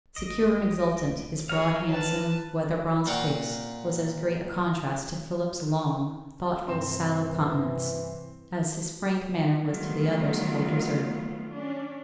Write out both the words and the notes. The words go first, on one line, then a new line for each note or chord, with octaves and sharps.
Secure and exultant, his broad, handsome, weather-bronzed face was as great a contrast to Philip's long, thoughtful, sallow countenance, as his frank manner was to the other's cold reserve.
G#1 D#5 D7 D#7
G#4 C#5 F5 A#5 F6
E3 B4 A5
A#2 F4 F#5 G5 A#5 C#6
G2 C3 E3 C4 A#5 C6 E7
D#3 F#3 G3 A3 B3 F4
C#4 D4